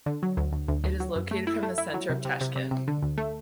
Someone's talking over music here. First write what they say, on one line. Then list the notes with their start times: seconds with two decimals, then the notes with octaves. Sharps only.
It is located from the center of Tashkent.
0.06 D3
0.23 F#3
0.37 D2
0.53 D2
0.68 D2
0.84 D2
1.00 F#3
1.16 F#2
1.31 A3
1.47 E4
1.63 A3
1.78 E4
1.94 F#3
2.10 C3
2.25 C3
2.41 C3
2.56 C3
2.71 C3
2.88 D3
3.02 D2
3.18 A3